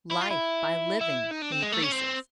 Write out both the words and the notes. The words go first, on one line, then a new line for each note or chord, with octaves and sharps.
Life, by living, increases.
E4
F4
E4
E4
D#4
D4
C4
G#3
A3
C#4
C4